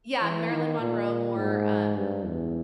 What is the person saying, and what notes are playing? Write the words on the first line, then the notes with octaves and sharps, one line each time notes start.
yeah, Marilyn Monroe more, um,
E3
D#3
A#2
G#2
G2
E2